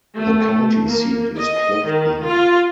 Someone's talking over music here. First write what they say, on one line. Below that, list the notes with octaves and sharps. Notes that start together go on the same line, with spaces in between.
The county seat is Clifton.
A3
A#3
D#5
D#3
F4